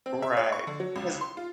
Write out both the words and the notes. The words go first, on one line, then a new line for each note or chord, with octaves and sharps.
Right. 'Cause
C4
E5
C#5
C#6
D3
F#3
C#2
C6
F4